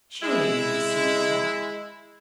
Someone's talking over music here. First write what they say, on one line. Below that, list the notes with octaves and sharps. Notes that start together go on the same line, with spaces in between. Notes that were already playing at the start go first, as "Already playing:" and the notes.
Surely you must see that.
G#3 E4